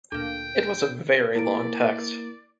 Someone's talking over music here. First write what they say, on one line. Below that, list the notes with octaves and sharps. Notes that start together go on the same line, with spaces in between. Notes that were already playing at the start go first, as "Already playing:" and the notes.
It was a very long text.
D2 A#2 G5
A#3 E4 A#4 D5 D7